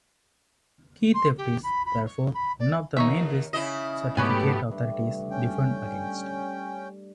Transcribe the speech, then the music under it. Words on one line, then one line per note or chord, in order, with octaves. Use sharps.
Key theft is therefore one of the main risks certificate authorities defend against.
C6
G4
B5
B5
C#5
B5
D5
D#2 D#4 C#5 E5
C#3 E4 D#5
G#2 F#3 A3 B3 C#4 G4 B4 G#5
G2 G3 A3
C#4 G5